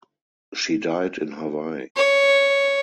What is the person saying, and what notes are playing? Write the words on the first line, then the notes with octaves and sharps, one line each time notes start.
She died in Hawaii.
C#5